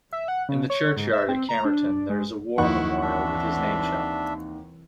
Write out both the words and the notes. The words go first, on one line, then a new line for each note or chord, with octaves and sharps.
In the churchyard at Camerton there is a war memorial with his name shown.
E5
F#5
C#3
C#5
G#2
E5
C4
A#5
D4
G#3
D#2 F3 D#4 E4 F#5 C#6
E3 C4 D4 E5